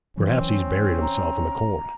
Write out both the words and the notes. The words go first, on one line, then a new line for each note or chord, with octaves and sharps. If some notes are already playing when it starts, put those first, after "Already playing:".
'Perhaps he's buried himself in the corn.'
E3 F#3 C4 C#4
A#5